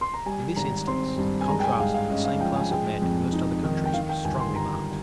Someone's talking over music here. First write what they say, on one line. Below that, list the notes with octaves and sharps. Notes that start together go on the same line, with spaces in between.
In this instance, the contrast with the same class of men in most other countries was strongly marked.
C6
A#5
G3 G#5
G#1 A#5
C4 C6
G2
G#5
G#3 A#5
G5
G#5
G#2 F5
F5
C#4 D#5
F5
F3 G5
G#5
G#3 G5
F2
D#4
D#3
G5
D#3 F5
G5
G1 G#5
C6
G3 A#5